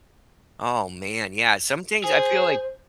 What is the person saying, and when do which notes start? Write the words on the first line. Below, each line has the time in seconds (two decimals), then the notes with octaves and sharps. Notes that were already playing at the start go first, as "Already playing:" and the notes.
Oh, man, yeah, some things I feel like
2.04 G#4 C5